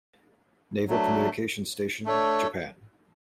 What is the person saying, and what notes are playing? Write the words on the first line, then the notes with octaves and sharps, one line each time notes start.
Naval Communications Station, Japan.
F#3 A3 D4
A3 D4 A4 C#5